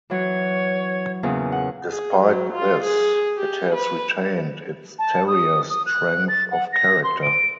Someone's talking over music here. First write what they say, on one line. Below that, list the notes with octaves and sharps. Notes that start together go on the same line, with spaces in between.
Despite this, it has retained its terrier strength of character.
E3 F#3 C#5
E2 A#2 C#3
F#5
G#4
F#3
F4
G#4
G4
B4
A5
D#6
D#6
F#6
A6
F#5
A#6
C6
D7